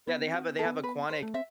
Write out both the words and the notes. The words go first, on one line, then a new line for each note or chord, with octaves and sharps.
Yeah, they have they have a Quantic
B3 E4
C4
F#4
B3
A4
B3
C4
B3 B4
C5
A3
C4 E5